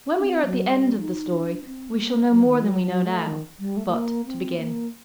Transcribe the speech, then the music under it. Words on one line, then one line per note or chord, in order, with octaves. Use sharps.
When we are at the end of the story, we shall know more than we know now: but to begin.
D4
C4
F#3
G3
D#4
D4
C4
A3
A#3
A3
F#3
D#3
F#3
F#3
A3
D#3
G3
A3
A3
A#3
C4
A#3